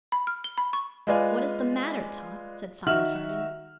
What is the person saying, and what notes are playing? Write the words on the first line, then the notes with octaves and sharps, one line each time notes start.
"What is the matter, Top?" said Cyrus Harding.
B5
F6
G7
B5
C#6
G#3 F4 B4 D5 F5 G#5
D#3 F#4 E5 F6 F#7